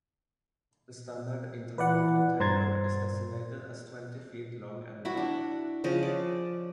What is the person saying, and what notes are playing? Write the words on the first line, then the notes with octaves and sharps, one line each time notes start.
The standard intermodal container is designated as twenty feet long and wide.
E3 B4 D5 F#5
G2 C5 A#5 C6 G#6 A6
E4 F#4 B5
D4
C#3 F3 D#5
D5